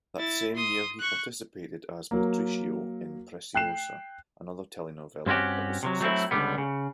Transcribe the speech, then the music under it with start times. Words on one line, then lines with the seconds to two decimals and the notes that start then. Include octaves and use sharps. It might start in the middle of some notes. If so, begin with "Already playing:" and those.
That same year, he participated as "Patricio" in "Preciosa", another telenovela that was successful.
0.19 E4 A6
0.56 C6 D#6
1.00 C#6 F#6
2.11 F#3 A#3
3.55 G5 F#6 C7 E7
5.26 G2 C4 C#4 F#4 G4
5.83 C3 D#3 F#3
6.01 F#3 A3 C4 E4
6.31 C#2 G#2 D3 G3 B3
6.58 C#3